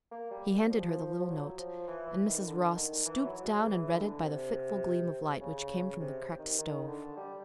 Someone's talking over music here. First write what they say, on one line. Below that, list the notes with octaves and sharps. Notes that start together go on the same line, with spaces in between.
He handed her the little note, and Mrs. Ross stooped down and read it by the fitful gleam of light which came from the cracked stove.
A#3
G3
F3
F3
F#3
F3
E3
E3
D#3
D3
D#3
E3
F#3
G#3
E3
D3
C3
C#3
C3
D#3
D#3
D3
G3